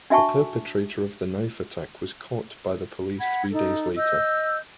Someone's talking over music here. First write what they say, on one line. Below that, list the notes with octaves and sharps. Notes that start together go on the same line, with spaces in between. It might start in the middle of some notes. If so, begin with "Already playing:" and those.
The perpetrator of the knife attack was caught by the police three days later.
D4 F#4 E5 G#5 A5 C#6
F#5 B5 G#6
D#4 A4
D#5 E6 G6